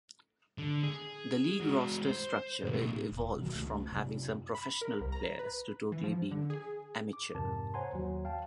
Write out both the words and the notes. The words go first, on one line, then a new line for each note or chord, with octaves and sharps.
The league roster structure evolved from having some professional players to totally being amateur.
D3
G#4
G#3 F#4
C5
B1 A2
E1
B2 D#3 E3 F#3
C#2 A3
F#2 C3
B5
A#4
C2
A#5
B4
E3
F3
D3
G#4
D6
F2 G#2 C3 A#4 A5
C5 C#5 F#5 G#5 A#5 C6
D#2 F#3
F5 G5 A5